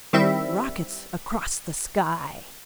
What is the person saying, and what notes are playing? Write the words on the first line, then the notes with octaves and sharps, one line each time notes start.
Rockets across the sky!
D#3 G3 C4 E4 E5